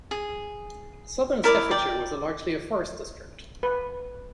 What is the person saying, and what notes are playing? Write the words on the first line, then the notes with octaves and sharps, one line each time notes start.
Southern Staffordshire was largely a forest-district.
G#4
E4 A#4 D5
D5 G5
B4